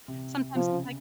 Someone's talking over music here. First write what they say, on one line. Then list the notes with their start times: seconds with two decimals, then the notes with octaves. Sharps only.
sometimes, like
0.08 C3
0.55 C3 F3
0.71 C#3